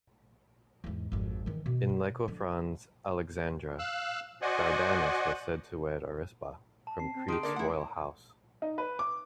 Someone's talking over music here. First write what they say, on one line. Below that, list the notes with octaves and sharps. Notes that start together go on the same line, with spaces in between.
In Lycophron's Alexandra, Dardanus was said to wed Arisba from "Crete's royal house".
E2 G#2
G#1 F2
D#3 E3
B2
D3
D3 F3
F5 E6 F#6
F#4 C5 D5 D#5 F#5 G#5
A5
C4 C7
C4
D#3 G4 G#4 C6 D#6 D7
D3 A#3 A#4 D5
A3 E4 F#5
D#4
B4
D6